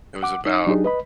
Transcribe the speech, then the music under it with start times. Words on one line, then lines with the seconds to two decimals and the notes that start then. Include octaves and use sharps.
It was about
0.23 F#5 D6
0.46 D#4
0.67 F#3 D4 D#4 G4 G#4
0.84 B4 D#5 B5